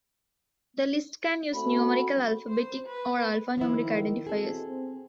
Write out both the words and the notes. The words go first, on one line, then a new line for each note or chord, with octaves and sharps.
The list can use numerical, alphabetic, or alpha-numeric identifiers.
A3 C4 F#4 B5
C5
B4
D#3 F3 E4
B2 E3 C4 G#4 A4
C4